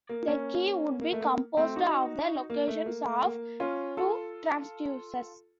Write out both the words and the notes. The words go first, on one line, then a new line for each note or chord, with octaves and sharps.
The key would be composed of the locations of two transducers.
A#3
A#3 C#4
A#3
A3
A#3
A3 C4
D#4 F#4
A#3
A3
A#3
A3
A#3
C#4 F4
F4 A4